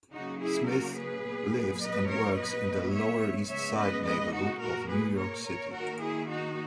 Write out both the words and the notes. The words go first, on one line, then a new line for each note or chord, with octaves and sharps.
Smith lives and works in the Lower East Side neighborhood of New York City.
C#3 F#3 A#3 D#4 F#4
E4 G#4
F#4 A#4
G#4 B4
A#2 F#3 B3
B4 D#5
A#4 C#5
A#2 F#3 B3 B4 D#5
C#5 E5
C#3 G#3 B3 C#5 E5
B4 D#5
B4 D#5
D#4 F#4
A#2 A#3 F#4 A#4
G#4 B4
A#4 C#5
A#4 C#5
D#3 A#3 F#4 A#4
E4 G#4
D#4 F#4